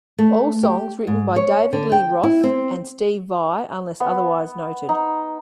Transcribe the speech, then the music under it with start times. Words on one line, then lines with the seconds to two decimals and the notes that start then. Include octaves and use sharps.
All songs written by David Lee Roth and Steve Vai unless otherwise noted.
0.18 A3
0.63 G4
1.07 G#2
1.36 C#5
1.73 D3
1.92 G5
2.23 E4
2.44 C4
4.00 B3
4.89 D#4